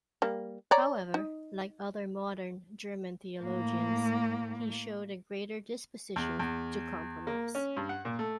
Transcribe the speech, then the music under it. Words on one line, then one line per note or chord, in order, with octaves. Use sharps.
However, like other modern German theologians, he showed a greater disposition to compromise.
G3 A#3
C#5 D5 A#5
D#4
A2 A#3
E2
E2
A#3
C#4
G2
F#5
A#2
A3